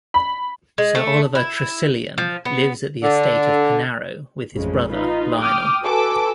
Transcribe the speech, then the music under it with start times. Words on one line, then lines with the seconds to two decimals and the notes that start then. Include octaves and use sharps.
Sir Oliver Tressilian lives at the estate of Penarrow with his brother, Lionel.
0.14 B5
0.78 G#3
0.95 A3
1.35 E4
2.18 F3
2.45 B3
3.03 D3
4.54 A1 F2 C#3 G#3
4.90 D#4 F4 B4
5.39 G5 D6 D#6 F6
5.82 F#4 A4 B4 G#5 D6 E6